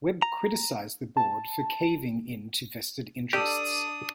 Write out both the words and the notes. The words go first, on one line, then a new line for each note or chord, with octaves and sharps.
Webb criticised the board for caving in to vested interests.
A#5
A5
D4 G4 A4 D5 D#6